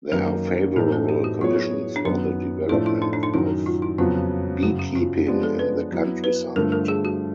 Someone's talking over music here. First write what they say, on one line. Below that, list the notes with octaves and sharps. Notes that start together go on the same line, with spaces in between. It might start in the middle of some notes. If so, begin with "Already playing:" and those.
There are favorable conditions for the development of beekeeping in the countryside.
F#2 D#3 F#3 A#3 D#4 A#4
A2 E3 A3 C4 D#4 A#4
A4
G4
F#4
F#3 B3 E4 F4 G#4 C#5
D4
F#2 D#3 F#3 B3 D#4
A2 F3 A3 D4 E4
E4
D#4
D4
D#4
F#2 D#3 F#3 E4
F4
E4
F2 C#3 F#3 B3 F4
F#2 C#3 F#3 F#4
F#4
F4
F3 G#3 B3 D4 G4
A4
B4
F#3 B3 E4
B4
G2 D3 F3 A3 A#4
A#4
G#4
F#4